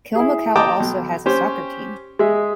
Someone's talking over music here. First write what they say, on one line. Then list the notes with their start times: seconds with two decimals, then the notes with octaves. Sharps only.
Kilmacow also has a soccer team.
0.15 E4 G#4
0.56 D#5 G5 A5 A#5 D6
0.80 B1
1.26 C#4 G4 C5
2.19 G#3 G#4 E5